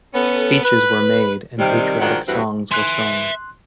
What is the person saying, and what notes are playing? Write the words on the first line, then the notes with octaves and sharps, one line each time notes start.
Speeches were made and patriotic songs were sung.
B3 C#4 A4
B4
C3 D#3 G3
G#2 D#3 F3 D4 F4 F#4
D2 G2 E3 C4 F#4 B4
E5 G#5 C6 F#6